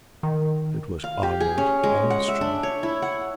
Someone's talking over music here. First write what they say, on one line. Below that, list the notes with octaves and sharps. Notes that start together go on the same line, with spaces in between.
It was Arnold Armstrong.
D#3
F5
G4
G#4
C#4
G#3
F#5
E5
D4
C#5
E4
F#5